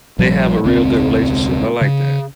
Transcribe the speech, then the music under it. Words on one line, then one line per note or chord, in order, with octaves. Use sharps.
they have a real good relationship. I like that.
A#1 A#2 F3 G3
E1 C#2 C4
C#3